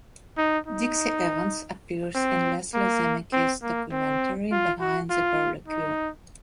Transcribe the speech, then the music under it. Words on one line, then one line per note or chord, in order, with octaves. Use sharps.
Dixie Evans appears in Leslie Zemeckis' documentary "Behind the Burly Q".
D#4
D#4
C4
A#3
C4
A#3
C4
F4
F#4
F4
D#4